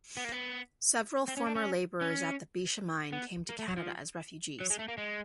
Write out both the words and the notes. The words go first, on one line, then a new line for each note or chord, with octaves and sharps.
Several former labourers at the Bisha Mine came to Canada as refugees.
B3
A#3
B3
C4
C#4
D4
C#4
C#4
B3
A#3
A3
F#3
F3
F#3
G#3
A3
A#3
G#3